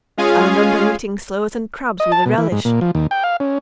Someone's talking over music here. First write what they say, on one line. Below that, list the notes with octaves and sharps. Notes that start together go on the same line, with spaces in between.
I remember eating sloes and crabs with a relish.
G#3 C#4 F4 G#4 F5 G#5
D#5
A5
B2
E3
G#2
A#2
F3
D#2
G5
F5
C#4